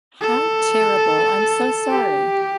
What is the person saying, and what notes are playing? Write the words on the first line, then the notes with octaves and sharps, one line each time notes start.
How terrible, I'm so sorry.
A4
G4